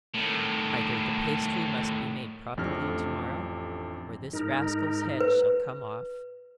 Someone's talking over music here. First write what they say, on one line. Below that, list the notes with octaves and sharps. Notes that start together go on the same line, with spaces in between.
'Either the pasty must be made properly to-morrow or this rascal's head shall come off.
A2 D#3
A1 F2 A3 D4 G4 F6
G#2 D#4 A#4
B4